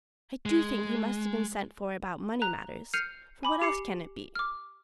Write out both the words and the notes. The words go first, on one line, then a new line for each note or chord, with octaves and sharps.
I do think he must have been sent for about money matters, for what else can it be?
G#3
A#5 F#6
F6 G6 C7 C#7 D#7 F7
G#5 B5 D6
G4 D6 C7 C#7
D6 F6